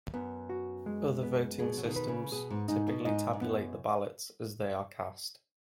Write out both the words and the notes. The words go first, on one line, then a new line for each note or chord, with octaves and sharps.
Other voting systems typically tabulate the ballots as they are cast.
F#2 B3
F#4
G#3
B3
B2 G#4
F#3
B2 D#3
B4
C#3
B2 G#4
G#2
G#2 D#4
B2
G#2 D#5
G#2
F#2 B3